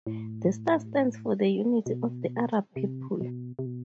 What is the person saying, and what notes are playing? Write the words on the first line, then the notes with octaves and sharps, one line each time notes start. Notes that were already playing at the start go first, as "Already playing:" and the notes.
The star stands for the unity of the Arab people.
A2
B2
C3
B2
C3
B2